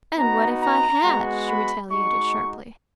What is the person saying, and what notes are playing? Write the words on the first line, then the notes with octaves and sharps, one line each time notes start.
"And what if I had?" she retaliated sharply.
B3 D#4 F#4 A#5
A#5
G#3 B3 F#4
B5
G#3 D#4 F#4 C#6